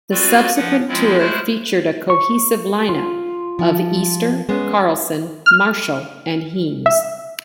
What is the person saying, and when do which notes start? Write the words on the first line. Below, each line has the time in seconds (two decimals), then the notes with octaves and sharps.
The subsequent tour featured a cohesive lineup of Easter, Carlson, Marshall and Heames.
0.11 C4 F4 F#4 B4 D5
0.56 F3 B4 F#5
0.88 F3 G#3 C4 E4 F4
1.18 G#3 A3 E4 C5 F6 F#6
2.10 C#6
2.89 F4
3.59 F3
4.49 G#3 B3 C#4
5.46 F6
6.86 E5